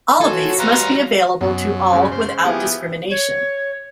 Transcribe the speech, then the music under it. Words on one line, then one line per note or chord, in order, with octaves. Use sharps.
All of these must be available to all without discrimination.
F3 F#4 A4 C#5 G#5 C6
G#3 G4 B4 F5 A#5 C6
F#2 B2
C#3 G#3
C5
F3 B3 E4 G4 G#4
C#5